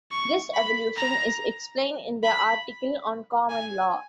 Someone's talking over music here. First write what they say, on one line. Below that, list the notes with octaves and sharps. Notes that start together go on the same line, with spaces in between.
This evolution is explained in the article on common law.
C#6
B5
A#5
B5
G#5